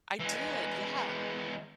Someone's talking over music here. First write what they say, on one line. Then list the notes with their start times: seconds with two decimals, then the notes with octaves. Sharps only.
I did, yeah.
0.20 E3 G#3